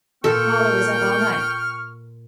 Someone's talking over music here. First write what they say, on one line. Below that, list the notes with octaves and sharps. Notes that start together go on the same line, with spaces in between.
Waller was up all night.
A#2 A#3 A4 G5 C#6 F6